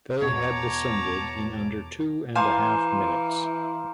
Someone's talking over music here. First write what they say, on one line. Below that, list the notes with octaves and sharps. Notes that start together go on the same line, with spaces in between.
They had descended in under two and a half minutes.
E2 B2 C#5 A5 A#5 D6
E3 C5 F5 G#5 A#5 D6 E7